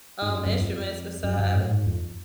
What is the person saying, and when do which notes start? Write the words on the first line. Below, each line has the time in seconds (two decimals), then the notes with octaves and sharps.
um, instruments beside
0.22 G#2
0.29 F#2
0.46 F#2
0.61 F2
1.24 F#2
1.39 F#2
1.55 A2
1.71 G#2
1.87 F2